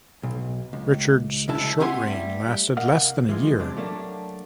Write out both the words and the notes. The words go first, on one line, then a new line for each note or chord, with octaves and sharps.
Richard's short reign lasted less than a year.
B1
C#2
C#2 C#3 E4 A5
C4 E4 G4 F#5 G#5 C6
G3 A3
C2 A#4 D#5 F5 F#5
E3 F3 G#3
C3 F#3 G#3 D4
F#3 A3 A#3 D4